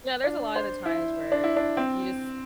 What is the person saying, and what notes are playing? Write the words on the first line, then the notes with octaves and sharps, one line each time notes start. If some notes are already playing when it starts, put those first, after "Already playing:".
Yeah, there's a lotta of the times where you just
D4
C5
E4
D4
E4
D4
C4